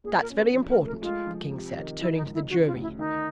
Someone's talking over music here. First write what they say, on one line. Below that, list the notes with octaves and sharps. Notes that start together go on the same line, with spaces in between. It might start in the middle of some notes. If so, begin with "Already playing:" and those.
'That's very important,' the King said, turning to the jury.
A#2 G#4
A#4
C#4
B4
F3 C5
A#4
A3
A#4
G#3 F4
F3
C3
D#3
F3 E4
D#4
C#2
E4
C#3 F#4
F4
D2
E4
D#3 D#4